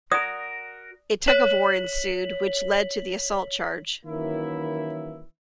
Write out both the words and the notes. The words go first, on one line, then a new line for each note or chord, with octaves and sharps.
A tug of war ensued which led to the assault charge.
F#4 A#4 D5 D#6
C#5 B6 F#7
D#3 E3 F#3 A#3 C#4 E4